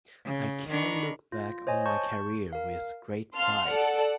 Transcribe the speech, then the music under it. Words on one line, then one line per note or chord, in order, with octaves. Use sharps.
I can look back on my career with great pride.
C#3
D#3 D4 A#5 B5 C#6
F4
C5 C#5 D#5 G#5
A5 C#6 G6
A#4 F5
F5 A5 C6 F6
A4 D5 F#5